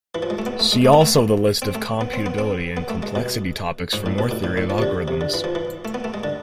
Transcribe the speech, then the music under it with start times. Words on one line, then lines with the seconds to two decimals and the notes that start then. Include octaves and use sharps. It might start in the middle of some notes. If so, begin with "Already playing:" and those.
See also the list of computability and complexity topics for more theory of algorithms.
0.15 E3
0.23 F3
0.30 G#3
0.39 A3
0.46 B3
0.59 A3
0.72 G#3
0.85 A3
0.93 B3
1.02 A3
1.62 C4
1.75 A3
2.01 B3
2.13 C4
2.26 B3
2.38 C4
2.77 B3
2.90 A3
3.03 G#3
3.15 B2
3.93 G#2
4.06 A2
4.18 B2
4.31 A2
4.44 A2
4.57 A2
4.70 F3
4.78 C3
4.82 D3
5.08 C3
5.21 D3
5.34 E3
5.44 F3
5.55 E3
5.85 A3
5.94 B3
6.04 A3
6.14 G#3
6.24 D3